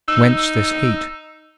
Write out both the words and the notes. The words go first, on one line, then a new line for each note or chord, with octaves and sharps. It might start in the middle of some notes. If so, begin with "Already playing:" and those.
Whence this heat?
D#4 E6